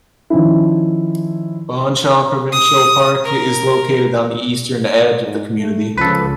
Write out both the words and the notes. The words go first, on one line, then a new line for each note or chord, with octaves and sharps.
Bonshaw Provincial Park is located on the eastern edge of the community.
D#3 F3 C#4 E4
D#6
A#4
G#2
A3
C#2 C#3 F3 A4 B4